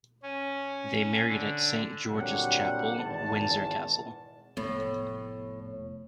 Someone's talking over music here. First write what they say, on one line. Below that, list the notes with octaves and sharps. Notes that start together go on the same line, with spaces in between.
They married at Saint George's Chapel, Windsor Castle.
C#4
D3
C2 A#2 D3 F#3 G3 F#5
G#1 E2 A5
F1 A2 A3 B3